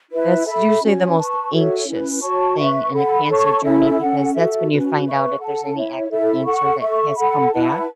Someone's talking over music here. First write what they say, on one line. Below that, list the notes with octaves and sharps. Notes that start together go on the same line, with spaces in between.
that's usually the most anxious thing in a cancer journey because that's when you find out if there's any active cancer that has come back.
E4 B4 E5
A4 E5 B5
C#4 F#4 C#5
B4 A5 C#6
F#4 A4 C#5 E5
C#4 E4 B4
F#4 C#5 A5 C#6
B4 E5 C#6
A4 F#5 B5
A4 C#5 A5 C#6
C#4 E4 A4 E5
C#4 A4 F#5
F#4 A4 E5
C#4 F#4 B4
B4 E5 C#6
A4 F#5 A5
E4 C#5 E5
E4 A4 E5
A4 F#5 C#6
A4 E5 C#6
A4 F#5 B5
E4 B4 F#5 A5